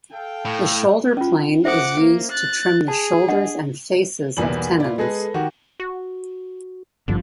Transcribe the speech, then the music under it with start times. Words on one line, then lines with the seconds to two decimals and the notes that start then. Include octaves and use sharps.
The shoulder plane is used to trim the shoulders and faces of tenons.
0.13 A4 F5 G5
0.45 A2
1.17 C#4 F4
1.65 A4 C5 E5 F#5 D6
2.01 A#3
2.32 F#6 A6
2.88 G#4 A5
3.28 D4 D#5 F#5
4.37 B1 E2 G3 A#3 B3 F#7
4.80 E4 F4 D5
4.98 G#3 G#4 A4 B4 A#6
5.34 D#3 F#4 G4
5.80 F#4
7.08 G#1 G2 D3 F3